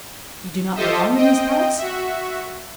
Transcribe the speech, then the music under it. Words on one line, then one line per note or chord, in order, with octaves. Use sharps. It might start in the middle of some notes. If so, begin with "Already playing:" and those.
"You do not belong in these parts?"
F4 G4 A4 C5 D#5 E5
C4 D#5 G5
F#4 E5